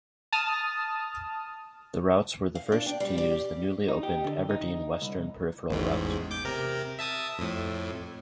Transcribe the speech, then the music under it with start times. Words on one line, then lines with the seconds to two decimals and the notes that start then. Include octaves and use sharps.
The routes were the first to use the newly opened Aberdeen Western Peripheral Route.
0.32 A5 D#6 F6
2.55 F5
2.72 D4
2.86 G5
3.00 G3
3.18 G4
3.88 D#4
4.03 G4
4.24 D3
4.49 D#4
5.02 C2
5.70 A1 E2 G#2
6.31 D6 G6
6.44 C3 A#4
6.99 E5 A5 D#6
7.39 F2 A2